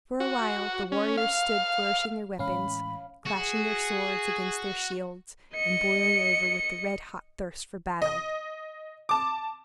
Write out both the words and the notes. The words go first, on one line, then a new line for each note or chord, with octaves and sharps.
For a while, the warriors stood flourishing their weapons, clashing their swords against their shields, and boiling over with the red-hot thirst for battle.
F#4
C#4
F5
A2 E3 G#3 C#4 F5 B5
F#4 G#4
D#5 C#7
D#5
A5 D6